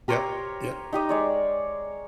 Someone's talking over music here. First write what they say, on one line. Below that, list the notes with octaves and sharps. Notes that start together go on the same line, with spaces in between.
Yep. Yeah.
G4 A#4 C5 C#5
D#4 G4 D#5
G#3 C#5 D5